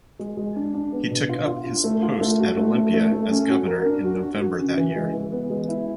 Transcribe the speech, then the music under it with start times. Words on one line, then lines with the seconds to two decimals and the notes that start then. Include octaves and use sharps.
He took up his post at Olympia as governor in November that year.
0.19 G#3
0.37 G#3
0.56 D4
0.74 D4
0.92 B3
1.11 B2
1.29 F4
1.47 F4
1.66 D4
1.84 A3
2.03 F4
2.21 A3
2.39 F#4
2.57 A3
2.76 A3
2.94 A3
3.12 A3
3.31 C#4
3.49 F#4
3.67 A#4
3.86 D4
4.04 F#4
4.23 F#4
4.41 F#4
4.59 C#3
4.77 E3
4.96 G#3
5.14 E3
5.32 B3
5.50 G#3
5.69 E4